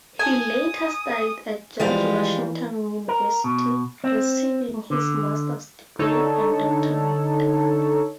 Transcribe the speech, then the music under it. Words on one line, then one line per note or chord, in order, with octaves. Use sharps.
He later studied at George Washington University, receiving his master's degree and doctorate.
G#5 D#6
E3 F3 G3 G#3 F5
A#4
B2
C4
D3
D3 D#4 A4 C#5